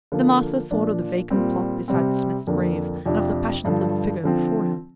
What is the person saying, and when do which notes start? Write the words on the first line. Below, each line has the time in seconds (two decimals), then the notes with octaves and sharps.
The master thought of the vacant plot beside Smith's grave, and of the passionate little figure before him.
0.12 D3 F3 A#3
0.71 A#2 F3 D4
1.30 A#2 G3 C4
1.88 C3 G3 C4
2.47 F2 D3 A#3 D4
3.06 F2 C3 F3 D4
3.65 G2 D3 F3
4.24 D3 F3 C4